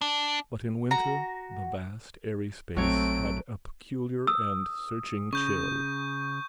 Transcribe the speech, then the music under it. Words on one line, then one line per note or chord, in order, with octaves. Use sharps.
But in winter the vast airy space had a peculiar and searching chill.
D4
F#4 A#5
A#1 F#3 A3 C4 C#5 D7
D#6 E6
C#3 C#6 G6